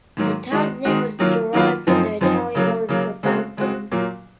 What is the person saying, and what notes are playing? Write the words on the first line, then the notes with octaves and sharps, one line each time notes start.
The town's name was derived from the Italian word for fountain.
G#2 D#3 F#3 A#3
D#3 G#3 D#4 F#4
D#3 G#3 D#4 F#4
D#3 F#3 A#3 F4
D#3 F#3 A#3 F4
F#2 F3 C4 D#4
F#2 F3 C4 D#4
C#3 F#3 A#3
C#3 F#3 A#3
C#3 G#3 C4 F#4
C#3 G#3 C4 F#4
A#2 F#3 A#3